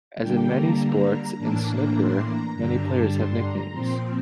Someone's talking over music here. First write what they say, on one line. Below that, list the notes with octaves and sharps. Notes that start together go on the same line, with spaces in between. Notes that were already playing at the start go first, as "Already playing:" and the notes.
As in many sports, in snooker many players have nicknames.
D3 G3 A#3 D4 G5
A#5
A#5
A#5
A2 E3 A#3 D4 A5
A#5
C6
A#5
G2 D3 G3 D4 A#5
A5
C6
A#5
A#2 F3 C4 C6